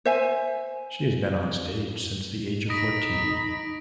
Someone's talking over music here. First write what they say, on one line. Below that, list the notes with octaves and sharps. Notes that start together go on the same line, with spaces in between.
She has been on stage since the age of fourteen.
C5 E5 G#5
D#4 B5 D#6 A#6 D7